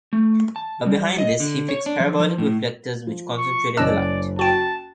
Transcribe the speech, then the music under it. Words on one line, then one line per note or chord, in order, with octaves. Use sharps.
But behind this he fixed parabolic reflectors which concentrated the light.
A3
A5
G3
D#5
D3
C#5
D4
F3
F3
A2
F3
C#6
F#1 C#4 D5 D#5 A5 E6 F#6
F#4 G5 A5